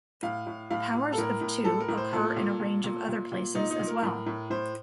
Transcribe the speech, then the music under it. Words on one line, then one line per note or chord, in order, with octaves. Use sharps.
Powers of two occur in a range of other places as well.
A2 F5
A2
A2 F5
A2
A4
A2 A#4
A2
A2 A4
A#4
A2
C5
A#2 A4
A#2
A#2
A#2
A#2
A#2
A#2 D#4
D#4
A#2
A#4
A2
A2
A2 C5